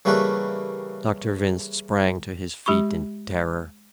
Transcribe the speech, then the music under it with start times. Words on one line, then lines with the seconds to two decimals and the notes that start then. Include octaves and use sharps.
Dr. Vince sprang to his feet in terror.
0.05 C#3 E3 G3 A3 A#3 B4
2.66 G#3 G4 B5 C#6